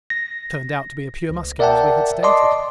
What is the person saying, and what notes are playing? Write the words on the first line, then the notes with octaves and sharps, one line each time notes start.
He turned out to be a pure Muscular as we had stated.
A#6
C#2
A#4 D5 E5 F#5 G5 A5
D5 D#5 A5 C6 D6